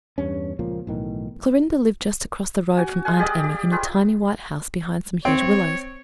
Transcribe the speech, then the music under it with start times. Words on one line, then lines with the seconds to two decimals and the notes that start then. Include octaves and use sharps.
Clorinda lived just across the road from Aunt Emmy in a tiny white house behind some huge willows.
0.18 E2 G2 C#4
0.59 C#2 A#2 F3 A#3
0.87 B1 A2 D#3 E3
2.77 F#4 G#5
3.05 G#3 F5 F#5 G#5
3.19 G4 G#4 D5 D#5
3.44 G4
3.71 F4 G#4 B4
5.25 C4 C#5